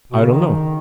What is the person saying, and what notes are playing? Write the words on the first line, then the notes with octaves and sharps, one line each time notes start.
"I don't know."
B2
C#3
D#3